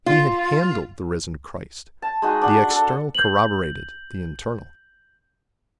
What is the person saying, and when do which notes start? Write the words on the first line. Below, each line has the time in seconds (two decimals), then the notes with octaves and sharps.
He had handled the Risen Christ, the external corroborated the internal.
0.06 F4
2.02 A5
2.22 G#3 D#4 F#4
2.42 D4 F#5
2.70 A4
3.15 G6 F#7